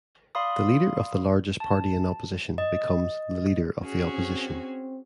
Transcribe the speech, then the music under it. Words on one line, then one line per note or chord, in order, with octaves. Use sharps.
The leader of the largest party in opposition becomes the Leader of the Opposition.
D5 F5 B5 C6 D#6
A5
D#5
C#4 F#4 G#4
C4